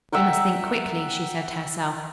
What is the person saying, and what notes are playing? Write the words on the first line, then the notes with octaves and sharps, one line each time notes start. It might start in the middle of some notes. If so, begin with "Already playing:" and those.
"You must think quickly," she said to herself.
E5 F#5 G5 A#5